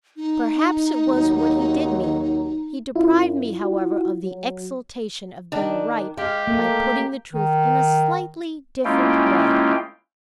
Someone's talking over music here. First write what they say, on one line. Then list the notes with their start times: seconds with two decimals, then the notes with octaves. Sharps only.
Perhaps it was what he did mean; he deprived me however of the exultation of being right by putting the truth in a slightly different way.
0.16 D#4
1.08 D#2 F#3
2.95 F#2 E4 F4
3.62 F#4
4.23 F#3
5.52 D#3 D4
6.17 G#3 G4 F5
6.47 A3 A#3
7.33 D#3
8.85 G#3 A#3 C#4 E4 F4 G5